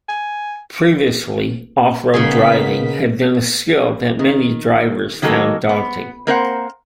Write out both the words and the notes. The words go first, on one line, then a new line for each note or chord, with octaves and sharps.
Previously, off-road driving had been a skill that many drivers found daunting.
G#5
C#3 A#3 B3 D#4 G#4 B6
D#3
D#3 F#3 G#3 A#3 A4
B3
A#3 C4 A#4 C5 E5 F#5